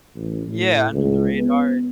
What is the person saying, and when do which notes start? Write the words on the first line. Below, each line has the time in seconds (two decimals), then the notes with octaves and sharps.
Yeah, under the radar,
0.16 A1
0.48 A2
0.92 C#2
1.33 B3